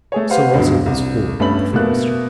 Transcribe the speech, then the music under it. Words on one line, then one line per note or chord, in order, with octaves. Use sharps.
So also was Ford, the forester.
A3 G#4 C#5
G4 B4 C5 F5 F#5
C#2 G2 B2 D3 F#3
C2
G2 A3 B3 C#4 B5 F#7
B2 A3 A#3 F#6